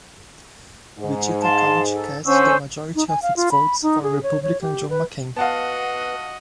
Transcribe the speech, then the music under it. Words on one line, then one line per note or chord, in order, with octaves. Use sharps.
Wichita County cast the majority of its votes for Republican John McCain.
G#2
F5 A5 C6
A4
D3 C#4 C5 C#6 E6
D#4
G#5
F5
F4
B5
D#4
G#4
C#5
C#5
G4
B4
B3 F#4 D#5 F5 F#5 A5